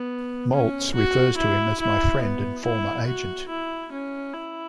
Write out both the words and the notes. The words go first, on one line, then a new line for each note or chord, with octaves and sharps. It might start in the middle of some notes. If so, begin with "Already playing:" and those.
Maltz refers to him as my friend and former agent.
Already playing: B3
C#4
F#4
E4
E4
B3
E4
F#4
E4
C#4
E4